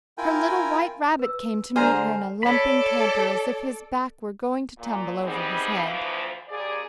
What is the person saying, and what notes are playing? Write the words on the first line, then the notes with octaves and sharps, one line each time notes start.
Her little white rabbit came to meet her in a lumping canter as if his back were going to tumble over his head.
E4 F4 A#4 G5 G#5
B4 E6
D3 G#3 G#4 C5 A#5 F6
A4 C#5 D5 B5
A#2
G3 B3 C4 D#4 E4 G#4
D2 E3 F3
D#2 G#4 D5